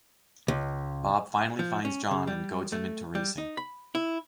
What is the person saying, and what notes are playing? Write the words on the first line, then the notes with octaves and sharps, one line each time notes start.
Bob finally finds John and goads him into racing.
C#2
F3
C#4
C#3
G3
A3
G3
D#4
B5
E4